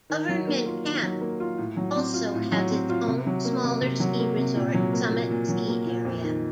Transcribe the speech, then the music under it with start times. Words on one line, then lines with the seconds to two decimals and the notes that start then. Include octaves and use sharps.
Government Camp also has its own, smaller ski resort, Summit Ski Area.
0.10 D#3
0.29 F#3
0.47 A#3
0.66 F4
0.84 D#3
1.03 F#3
1.21 A#3
1.40 F4
1.58 A2
1.77 F#3
1.96 C4
2.14 F4
2.34 A2
2.52 F#3
2.70 C4
2.89 F4
3.07 C3
3.27 F#3
3.45 A#3
3.64 C3
3.81 C3
4.00 F#3
4.20 A#3
4.37 C3
4.56 A#2
4.74 F#3
4.93 A#3
5.12 A#2
5.30 A#2
5.49 F#3
5.68 A#3
5.86 A#2
6.05 F2
6.24 D#3